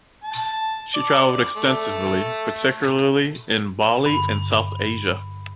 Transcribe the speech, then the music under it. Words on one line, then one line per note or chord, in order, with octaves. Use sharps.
She traveled extensively, particularly in Bali and South Asia.
A5
D5
A3
G2 D3 B5